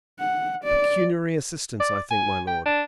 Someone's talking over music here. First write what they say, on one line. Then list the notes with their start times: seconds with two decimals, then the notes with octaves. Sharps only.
"Pecuniary assistance, I think, my Lord."
0.19 F#5
0.64 D5
1.80 D5
2.11 G#5
2.47 G5
2.65 D4